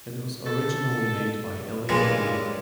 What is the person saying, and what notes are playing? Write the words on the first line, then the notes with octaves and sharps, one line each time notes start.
It was originally made by Eli Lilly.
A4
G2 A#2 C#3 G#3